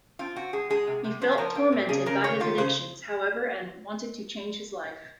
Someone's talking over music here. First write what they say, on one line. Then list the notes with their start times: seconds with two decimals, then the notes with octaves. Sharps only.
He felt tormented by his addictions, however, and wanted to change his life.
0.19 C4 F4
0.36 C4 F#4
0.53 G#3 G#4
0.70 G#3 G#4
0.87 C3
1.04 C3
1.21 F3 C5
1.32 C5
1.38 F3 A#4
1.55 C4
1.72 A#2
1.89 C#3 G#4
2.06 C#3 A#4
2.24 D#3 C#5
2.40 D#3 F4
2.58 C#3 C5